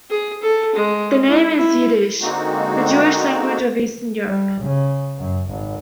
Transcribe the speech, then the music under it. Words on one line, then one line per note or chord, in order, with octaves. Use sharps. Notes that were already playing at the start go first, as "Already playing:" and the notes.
The name is Yiddish, the Jewish language of eastern Europe.
G#4
A4
G#3
E4
E4
D3 G#3 A#3 C4 D#4 F#4
G3
C#3
F#2
G#1